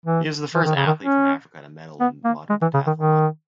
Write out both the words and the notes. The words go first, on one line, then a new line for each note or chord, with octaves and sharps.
He is the first athlete from Africa to medal in modern pentathlon.
E3
E3
D#3
C#3
D#3
C#4
B3
A#3
G#3
E3
C#3
D#3
D#3